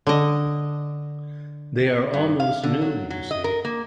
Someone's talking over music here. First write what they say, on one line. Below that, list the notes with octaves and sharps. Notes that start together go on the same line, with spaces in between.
They are almost new, you see.
D3 D#5
G2
F5
D3
F#3
F#3
D#5
A#4
A#3